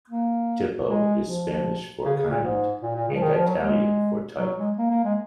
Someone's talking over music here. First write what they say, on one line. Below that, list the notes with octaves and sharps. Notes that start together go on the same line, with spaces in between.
"Tipo" is Spanish for "kind", and Italian for "type".
A#3
G#3
F3
C#3
C#3
A#2
G#2
A#2
A#2
C#3
F3
D#3
F3
F#3
G#3
F#3
G#3
A#3
A#3
G#3